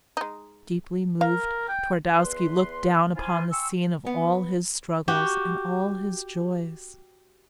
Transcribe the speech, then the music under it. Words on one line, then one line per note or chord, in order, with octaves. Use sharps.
Deeply moved, Twardowski looked down upon the scene of all his struggles and all his joys.
G#3 D#4
A#4 F5
G5
E2 B4 C6
F3 E4 F4 G#5
G5 G#5 C6 C#6 E6
B3
F#4 G4